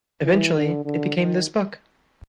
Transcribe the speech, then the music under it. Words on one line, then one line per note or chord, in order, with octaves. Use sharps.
Eventually it became this book.
E3
D3
D3
D#3